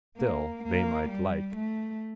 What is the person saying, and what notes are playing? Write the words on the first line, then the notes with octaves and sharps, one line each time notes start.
Still they might like.
A#3
A#3
G3
A3